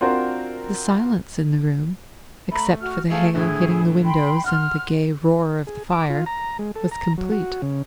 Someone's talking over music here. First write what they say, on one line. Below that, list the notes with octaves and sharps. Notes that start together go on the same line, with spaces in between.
The silence in the room, except for the hail hitting the windows and the gay roar of the fire, was complete.
C4 D4 F4 F#4 A#4 C5
A3 A#5 B5
F#4 F6
A3 G#4 A4 F5
A2 D3 A3 E4 G#4
G5 B5 C6
F#5 C6 F6
G#4
D6
F4
A#5
G#3
A4
A#5
F#3
F#4
C#3